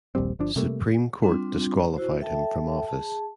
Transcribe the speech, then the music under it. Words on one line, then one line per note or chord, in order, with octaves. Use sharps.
Supreme Court disqualified him from office.
D#1 A#1 G3 C4
G1 F3 D4
C3 G3 A3 A#3
G3 C4 D4 F4
E4 F#4 C5
A4 E5 G5 A5
G#4 A5